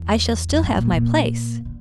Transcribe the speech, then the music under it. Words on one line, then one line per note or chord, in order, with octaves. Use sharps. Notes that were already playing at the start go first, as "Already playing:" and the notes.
"I shall still have my place."
Already playing: E2
F2
G2
A#2
A#2
D3